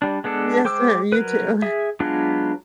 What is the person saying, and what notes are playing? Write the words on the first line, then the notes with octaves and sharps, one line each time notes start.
Yes, ma'am. You too.
G3 D4
G#3 B3 D4 A4
G#3 C5 G5 D6 E6
F#3 A#4 B4
G#4 E5
F#3 G#3 B3 D4 F4